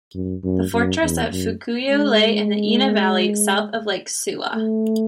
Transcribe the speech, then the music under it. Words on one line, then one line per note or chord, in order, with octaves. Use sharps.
The fortress at Fukuyo lay in the Ina valley, south of Lake Suwa.
F#2
F#2
F#2
E2
F#2
G#3
A3